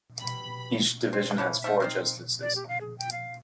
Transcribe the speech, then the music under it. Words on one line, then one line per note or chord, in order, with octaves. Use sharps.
Each division has four justices.
B2 G3 B5
C4
E3 F3 C#4
F3 A3 E5
D#3 C4 C5
D5
G4
F5
G#4
G5
F5